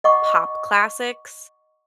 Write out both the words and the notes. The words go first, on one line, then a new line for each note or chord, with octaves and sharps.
pop classics,
D#5 F#5 A#5 C#6 D6